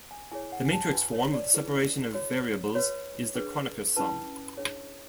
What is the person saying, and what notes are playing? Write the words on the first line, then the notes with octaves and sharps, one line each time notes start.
The matrix form of the separation of variables is the Kronecker sum.
G#5
E4 G#4 C#5 G#5
F#5
G#5
A5
F#4 B4 G#5
C#5
D5
E4 G#4 B4
F#4 C#5
F#4 B4 C#5
D4 G#4 B4
C#4 E4 B4 A5
D4 G#4 C#5